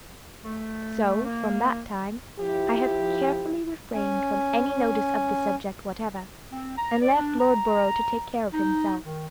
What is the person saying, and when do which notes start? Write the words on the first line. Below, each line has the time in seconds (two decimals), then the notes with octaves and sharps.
So, from that time, I have carefully refrained from any notice of the subject whatever, and left Lord Lowborough to take care of himself.
0.44 A3
1.25 A#3
2.40 F3 E4 G4
3.95 C#4 G#5
6.52 C4
6.78 A#5
7.02 D5
7.15 D4
7.40 A#5
8.54 D#4
9.04 D#3